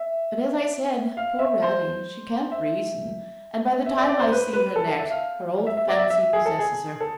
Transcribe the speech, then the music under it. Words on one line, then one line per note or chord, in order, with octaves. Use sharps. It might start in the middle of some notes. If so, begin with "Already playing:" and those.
But as I said, poor Radie, she can't reason; and by the time I see her next, her old fancy possesses her.
Already playing: E5
F5
E5
C5
E5
E5
D5
D5
C5
B4
B4
A4
A4
E5
F5
E5
E5
D5
E5
E5
G#4
A4
G#4
A4